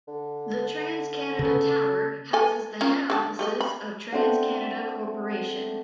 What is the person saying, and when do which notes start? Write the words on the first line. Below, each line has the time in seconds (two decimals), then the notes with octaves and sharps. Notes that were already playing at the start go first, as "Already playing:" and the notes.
The TransCanada Tower houses the head offices of TransCanada Corporation.
0.08 D3
1.39 C#3 A4
2.33 A4 G#5
2.81 C#4 F4 A#4
3.10 D3 G4 A5
3.39 G3 A3 D#5
3.61 B5
4.12 A3 C4 D4 F#5